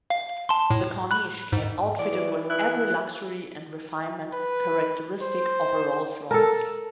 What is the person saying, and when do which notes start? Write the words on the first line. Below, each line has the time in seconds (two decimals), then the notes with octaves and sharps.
The Corniche came outfitted with every luxury and refinement characteristic of a Rolls-Royce.
0.10 F5
0.49 A5 C6
0.70 A2
1.11 B5 F#6
1.52 G#2
1.99 E3 D5
2.50 E4 F#6
4.33 B4
5.22 C5
6.31 A4 A#4 A5